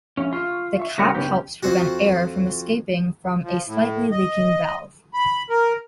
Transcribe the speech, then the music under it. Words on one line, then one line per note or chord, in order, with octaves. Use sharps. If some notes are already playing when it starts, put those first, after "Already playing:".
The cap helps prevent air from escaping from a slightly leaking valve.
A#1 C#4 E5
F4 C#6
E5 C#6
C2 C#3 G3 F#4 A#4 C#5
F#2 C#3 B3 C#4 D4 G4
F2 C4 F#4
F3
A2
D#5
B5
A#4